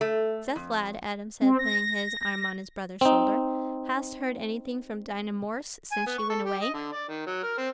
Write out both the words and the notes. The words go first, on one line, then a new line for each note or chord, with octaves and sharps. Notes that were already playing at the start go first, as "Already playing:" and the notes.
"Seth, lad," Adam said, putting his arm on his brother's shoulder, "hast heard anything from Dinah Morris since she went away?"
A3
F2
C4
A#6
C4 D#4
G#5
B3
C#6
A4
G4
D#5
D3
D5
D#3
F#3
A#4
C4